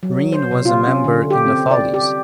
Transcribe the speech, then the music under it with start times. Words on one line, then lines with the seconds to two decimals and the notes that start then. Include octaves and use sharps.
Rene was a member in the Follies.
0.03 F#3
0.32 C5
0.51 C3
0.65 F4
0.87 C#4
1.04 D3
1.30 G4
1.46 C4
1.71 D5
1.94 G4